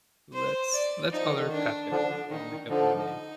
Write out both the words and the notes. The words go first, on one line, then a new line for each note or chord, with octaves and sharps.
let's let's call her Katya, I'll make up a new name.
C5
D5
F3 D#4
D#3
D3
D#3
D4
D3 F3 D4
D3
D#3 D#4
D#3
D3 F3 D#4